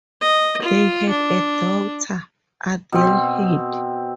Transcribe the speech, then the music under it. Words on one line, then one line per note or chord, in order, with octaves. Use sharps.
They had a daughter, Adelheid.
D#5
F4
D4
B2 C4